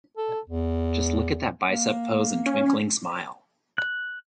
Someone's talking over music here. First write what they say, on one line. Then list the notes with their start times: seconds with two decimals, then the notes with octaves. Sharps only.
Just look at that bicep pose and twinkling smile.
0.17 A4
0.49 E2
1.72 A#3
2.46 C#4
3.78 F#6